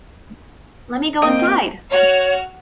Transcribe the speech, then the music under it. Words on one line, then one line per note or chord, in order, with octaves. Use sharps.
Lemme go inside!
A#3 C4 D#5 G5
F#4 C#5 F6